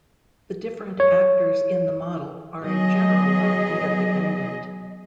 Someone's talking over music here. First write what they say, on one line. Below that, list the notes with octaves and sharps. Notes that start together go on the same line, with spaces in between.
The different actors in the model are in general not interdependent.
C#5
F#3 B3 G#4 D#5